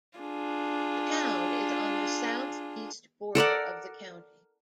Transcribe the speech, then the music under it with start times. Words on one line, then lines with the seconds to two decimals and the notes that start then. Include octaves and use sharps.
The town is on the southeast border of the county.
0.19 D4 F4 G#4
3.35 A4 A#4 D5 F#5